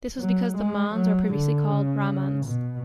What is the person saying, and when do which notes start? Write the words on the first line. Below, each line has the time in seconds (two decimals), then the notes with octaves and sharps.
This was because the Mons were previously called Ramans.
0.20 F#3
0.57 G#3
0.95 F#3
1.33 D3
1.70 C#3
2.46 B2